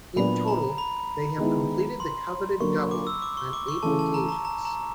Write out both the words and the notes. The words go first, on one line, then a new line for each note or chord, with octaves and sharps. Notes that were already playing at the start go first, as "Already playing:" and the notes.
In total, they have completed the coveted Double on eight occasions.
A#2 F#3 B3 D4 B5
A#5
B5
D#3 G#3 B3 E4
C6
D3 F#3 A#3 C#6
D6
E6
D6
C#6
D6
C#6
C#3 E3 A3 A5
A5
A#5
A#5
A#5
A#5